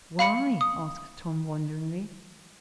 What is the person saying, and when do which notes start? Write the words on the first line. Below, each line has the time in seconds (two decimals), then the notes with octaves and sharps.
"Why?" asked Tom, wonderingly.
0.19 F5 B5 C#7
0.61 D#6